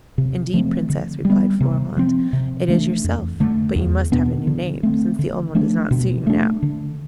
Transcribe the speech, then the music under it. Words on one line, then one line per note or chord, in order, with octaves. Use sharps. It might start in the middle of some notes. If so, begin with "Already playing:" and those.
'Indeed, Princess,' replied Florimond, 'it is yourself, but you must have a new name, since the old one does not suit you now.
C3
F3 A3 C4
D3
G3 B3
C3
F3 C4
C3
E3 A3 D4
F2
D3 A3
E2
B2 B3 D4
D3
A3 C4
D3
F3 A3 D4
B2
A3 D4
D3